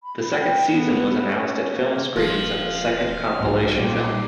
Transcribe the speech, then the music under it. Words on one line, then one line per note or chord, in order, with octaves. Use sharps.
The second season was announced at film screenings of the second compilation film.
B5
G5
B3
C#4
A#3
D#1 F3 F5
B1 G#2 F#3
A#2 D#3 G3 A#3 D5 G5